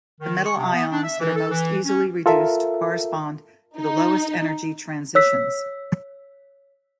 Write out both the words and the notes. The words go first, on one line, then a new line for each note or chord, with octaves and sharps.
The metal ions that are most easily reduced correspond to the lowest energy transitions.
D#3
C#6
C3
B3
D4
E5
E3
A4
E3
C#4
F4 A4 A#4 E5
D#4
C#5 E6 B6